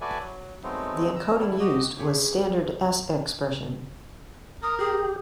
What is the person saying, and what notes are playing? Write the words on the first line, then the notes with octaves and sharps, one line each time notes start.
The encoding used was standard S-expression.
F#4 A4 B4 D5 E5 G#5
F#3
F#3 G#3 A3 B3 C4 D#4
A#5 E6
D3 E3 G3 E4
F#4 G4 D#5
E4 G4 G#4 B4 C#5
A#4 D#6
G4 G#4